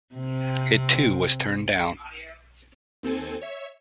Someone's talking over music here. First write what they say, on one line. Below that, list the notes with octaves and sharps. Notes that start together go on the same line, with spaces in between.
It too was turned down.
C3 C4
D#2 C4 A4 G#5
C#5 E5